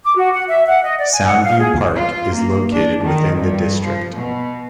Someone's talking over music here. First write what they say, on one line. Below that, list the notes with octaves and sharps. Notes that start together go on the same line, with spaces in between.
Soundview Park is located within the district.
D6
F#4
F#5
E5
F#5
D#5
D5
G#5
F#5
F5
G#4
F4
A#3
D4
D#3
G2
F3
B2